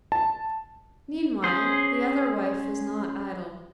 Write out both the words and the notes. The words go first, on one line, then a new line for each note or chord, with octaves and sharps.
Meanwhile the other wife was not idle.
A5
C#4 G#4 C5